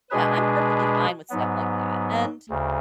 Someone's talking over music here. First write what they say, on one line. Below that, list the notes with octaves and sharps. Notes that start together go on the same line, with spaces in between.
Yeah, I'm perfectly fine with stuff like that. And,
B2 G#3 D4 G#4 B4
G#2 F#3 B3
D2 C#3